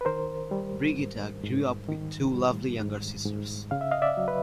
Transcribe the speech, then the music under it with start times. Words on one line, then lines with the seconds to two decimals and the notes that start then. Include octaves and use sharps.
Brigitta grew up with two lovely younger sisters.
0.01 B4
0.05 D#3 A#4 C5
0.51 G3
0.96 G#2
1.43 G#2
1.89 D#3
2.34 G3
2.80 G#2
3.26 G#2
3.71 C#3 F5
3.81 E5
3.91 D#5 F5
4.02 D5 E5
4.17 F#3
4.28 B4